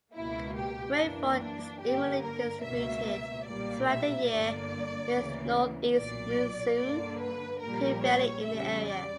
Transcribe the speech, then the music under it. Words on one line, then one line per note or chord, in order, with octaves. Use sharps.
Rainfall is evenly distributed throughout the year with north-east monsoon prevailing in the area.
C#2 B2 A#3 E4
G4
F#2 E3 A#3 D4
D4
G2 D3 A#3 G4
A#4
C#2 B2 A#3 E5
B1 A#2 G3 A#3 D5
E5
G1 G2 D3 A#3 D5
D2 C#3 E3 A#3
B1 A#2 F#3 D5
G2 D3 A#3 D5
B4
A#1 A#2 G3 A#3 A#4
C#5
E2 C#3 G3 E5
D5